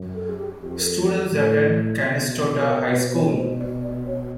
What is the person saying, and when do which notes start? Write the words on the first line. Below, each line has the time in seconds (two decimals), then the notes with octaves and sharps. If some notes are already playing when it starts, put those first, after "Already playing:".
Students attend Canistota High School.
Already playing: F#2
0.15 A4
0.28 G#4
0.37 G4
0.61 F2 G4
0.79 A#4
0.83 A4
1.07 A4
1.30 A2 A4
1.99 B2
2.60 B4
2.68 A#4
2.91 B4
3.08 C5
3.14 C#5
3.36 C5
3.59 D5
3.83 D5
4.06 C#5